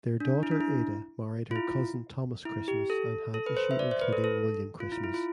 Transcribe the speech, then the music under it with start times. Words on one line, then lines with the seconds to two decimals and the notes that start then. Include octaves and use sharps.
Their daughter Ada married her cousin Thomas Christmas and had issue including William Christmas.
0.20 D4
0.43 E4
0.51 D4
0.61 E4
1.51 F4
1.56 E4
2.45 E4
2.68 G4
2.90 A4
3.34 A4
3.46 B4
3.57 C5
3.71 E5
3.79 D5
3.91 C5
4.01 B4
4.13 A4
4.24 A4
4.80 F4
4.92 E4
5.04 E4
5.14 F4